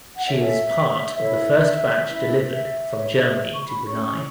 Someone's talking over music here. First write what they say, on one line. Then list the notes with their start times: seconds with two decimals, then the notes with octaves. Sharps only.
She is part of the first batch delivered from Germany to Brunei.
0.16 F#5
0.25 C#4 A4 C#5 E5
1.15 E4 A4 C#5 E5
2.05 C#4 E4 B4
2.95 E4 B4 C#5
3.18 E5
3.53 C#6
3.63 B5
3.86 C#4 E4 C#5 C#6